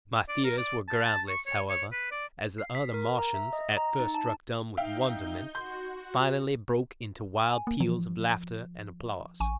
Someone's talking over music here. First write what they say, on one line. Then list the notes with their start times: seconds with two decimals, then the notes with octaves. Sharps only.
My fears were groundless, however, as the other Martians, at first struck dumb with wonderment, finally broke into wild peals of laughter and applause.
0.29 D5
0.44 A#4
0.58 D5
0.88 A5
1.05 A5
1.29 C#6
1.47 C#5
1.70 C#5
1.92 B4
2.12 D5
2.58 C7
2.75 B6
2.94 A#4
3.18 A#5
3.34 E5
3.53 D#5
3.77 A#5
4.00 D#4
4.14 A5
4.77 D#4 E5 F5 G5 G6
5.55 F#4 C6 G6
7.50 G#5
7.67 A#3
7.80 E3 F3
9.40 A1 G#5 C#6